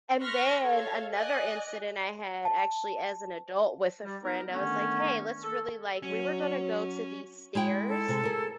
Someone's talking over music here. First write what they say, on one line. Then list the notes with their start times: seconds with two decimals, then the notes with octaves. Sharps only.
And then another incident I had, actually as an adult with a friend, I was like, "Hey, let's really, like" we were going to go to these stairs.
0.21 C6 C#6 F6 F#6 A#6 B6
0.62 A4 C#5 F5
1.14 D5 D#5 G#5 F#6
2.45 A5
4.04 G3
4.23 B3 D#4 A#4
4.53 D3 D#3 A3 B3 C#4
5.43 A4
6.03 F#3 C#4
7.55 G#3 E4 G5
7.88 A4
8.08 C3 G#3
8.23 G#4 A#4